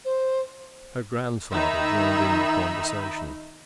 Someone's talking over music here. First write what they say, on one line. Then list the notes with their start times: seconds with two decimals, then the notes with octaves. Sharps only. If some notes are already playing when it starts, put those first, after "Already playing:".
Her grandfather joined in the conversation.
0.05 C5
1.51 D#3 D#4 E5 B5